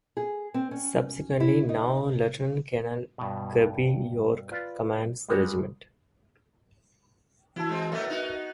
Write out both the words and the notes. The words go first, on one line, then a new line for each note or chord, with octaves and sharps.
Subsequently, now Lieutenant-Colonel Kirby York commands the regiment.
G#4
C4
C#4
E4
D#4
G2 B2
F4 B4 D5
G3 G#3 F#4
E3 E4 F#4 A5
G#3 C4
F#3 A3 B3 A#4 B4 E5
B3 D#4 F#4